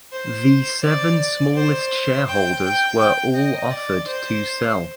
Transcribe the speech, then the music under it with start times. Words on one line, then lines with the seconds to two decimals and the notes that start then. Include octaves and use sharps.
The seven smallest shareholders were all offered to sell.
0.12 C5
0.83 D5
1.55 C5
2.28 G5
2.63 G5
2.99 G5
3.35 D#5
3.71 D5
4.07 C5